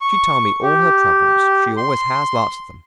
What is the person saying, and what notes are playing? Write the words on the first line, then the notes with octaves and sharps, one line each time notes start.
She told me all her troubles--she always has lots of them.
C#6
G4
C6